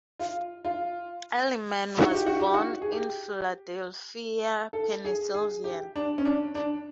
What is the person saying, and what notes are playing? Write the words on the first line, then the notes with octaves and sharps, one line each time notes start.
Adleman was born in Philadelphia, Pennsylvania.
F4
F4
F#4
G4
F#4
G4
F#4
G#4
G4
A4
G#4
G#4
G4
D4
C#4
D4
D4